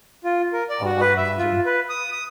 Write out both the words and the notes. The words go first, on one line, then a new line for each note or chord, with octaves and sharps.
Oh, I imagine.
F4
A#4
D5
F#4
B4
E5
F4
B4
D#6
D#6